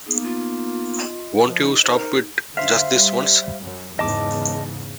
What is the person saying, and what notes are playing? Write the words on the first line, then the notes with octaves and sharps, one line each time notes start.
Won't you stop it just this once?
A#3 B3 D#4 G#4
F4
D#5
F3
D#4
D#4 A#4 C5
D3 C5 E5 F5
G3
F#2
E2 G#2 C#3 D#5 A5 D6